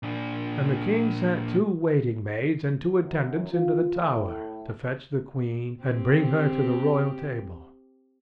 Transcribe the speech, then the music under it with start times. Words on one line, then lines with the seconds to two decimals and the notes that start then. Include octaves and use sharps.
And the king sent two waiting-maids and two attendants into the tower, to fetch the queen and bring her to the royal table.
0.03 A#2 D4
3.01 F#2
3.52 F4
4.00 A2
5.83 C4 G4